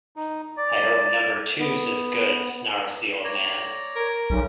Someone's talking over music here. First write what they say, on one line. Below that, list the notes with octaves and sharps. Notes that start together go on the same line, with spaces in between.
"I hope number two's as good" snarls the old man.
D#4
D5
B3
C#5 D5 A#5
A#4
B1 G3 C#4